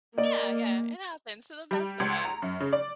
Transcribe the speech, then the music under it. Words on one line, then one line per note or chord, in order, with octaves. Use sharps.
Yeah, yeah, it happens to the best of us.
A#3 D5 D#5
G3
C#2
A#5
F#2
C#3
D5